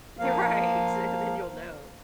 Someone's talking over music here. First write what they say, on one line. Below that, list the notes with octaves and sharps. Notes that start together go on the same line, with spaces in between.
You're right, and then you'll know.
F3 A#3 F5